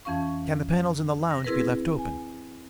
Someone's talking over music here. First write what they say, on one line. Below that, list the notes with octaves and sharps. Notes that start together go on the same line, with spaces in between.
"Can the panels in the lounge be left open?"
F2 E3 C#4 F5 C#6
A#6
C4 E4 G#4 A#4 B4
G#5